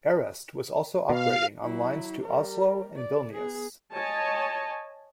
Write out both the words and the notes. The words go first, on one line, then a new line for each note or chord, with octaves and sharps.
Airest was also operating on lines to Oslo and Vilnius.
B2 F5
F#3 E4
G3 A#4
D5
B3 G#4
C#5 D#5 G#5 A5